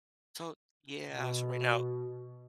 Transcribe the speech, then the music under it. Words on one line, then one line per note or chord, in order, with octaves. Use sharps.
So, yeah. So right now,
B2